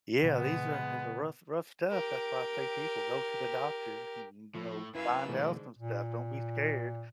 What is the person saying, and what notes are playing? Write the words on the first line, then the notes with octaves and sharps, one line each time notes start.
Yeah, these are as a rough, rough stuff that's why I say, "People, go to the doctor, y y you know, find out some stuff don't be scared."
A#2 C#3 E3 G#3 B3
G4 A#4
A2 F3
F#2 E4 B4 F5 G#5 E6
G#2 B2 D3 E3 A3
A#2